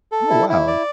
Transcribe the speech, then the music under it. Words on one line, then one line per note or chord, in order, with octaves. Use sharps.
Oh, wow.
A4
E4
E4
D5